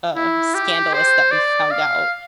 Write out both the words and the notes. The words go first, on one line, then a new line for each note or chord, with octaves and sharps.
uh, scandalous that we found out.
E4
G4
C5
D5
F5